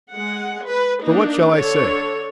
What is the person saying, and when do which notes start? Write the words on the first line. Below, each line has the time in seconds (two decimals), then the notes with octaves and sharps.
For what shall I say?
0.12 G#3 F#5
0.66 B4
1.05 A#3 D4 D#4
1.55 D3 A4 C#5